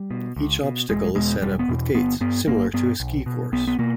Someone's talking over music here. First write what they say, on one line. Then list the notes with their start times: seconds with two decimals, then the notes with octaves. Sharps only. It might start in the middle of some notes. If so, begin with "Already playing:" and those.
Each obstacle is set up with gates, similar to a ski course.
Already playing: G3
0.10 B2
0.37 C#2
0.63 B2
0.89 E1 G#3
1.15 E2 B2 G#3
1.41 E1 G3
1.59 B3
1.68 E2 B2
1.94 G1 B3
2.21 G2 B3
2.47 G1 A#3
2.73 G2 B3
3.00 B1
3.26 B2
3.52 B1 B3
3.68 B3
3.79 B2 A#3